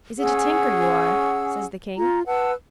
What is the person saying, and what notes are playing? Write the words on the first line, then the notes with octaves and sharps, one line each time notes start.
"Is it a tinker you are?" says the king.
C#4 G#4 F#5 E6
F4 A#5
B4 F#5 A5 E6